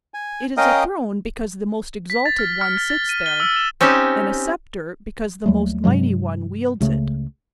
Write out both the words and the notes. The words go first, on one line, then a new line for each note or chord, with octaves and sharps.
It is a throne because the most exalted one sits there,--and a sceptre because the most mighty one wields it.
G#5
C#4 A#4 D#5 F5 G5 D#6
B6
A6
F6
F6
A6
A6
D#7
G7
E6
E7
C4 C#4 D#4 G4 E5
D#2 F#3 G3 A3
G2 C3 F#3 G#3
C#2 C#3 A3